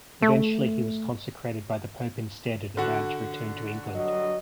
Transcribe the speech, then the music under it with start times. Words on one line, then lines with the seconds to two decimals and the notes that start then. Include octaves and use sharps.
Eventually, he was consecrated by the pope instead and allowed to return to England.
0.22 A3
2.77 D3 F#4
3.94 G2 F#3 D#5